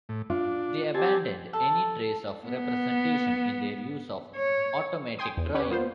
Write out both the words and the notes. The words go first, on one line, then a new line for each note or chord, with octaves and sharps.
They abandoned any trace of representation in their use of automatic drawing.
A2
D4 F4
C4 G4 G#5 A5
A4
B3
C#5
G5 G#5 C6 D#6
E2
C#4 G4 B4 C#5
A#3 B3 F4 C5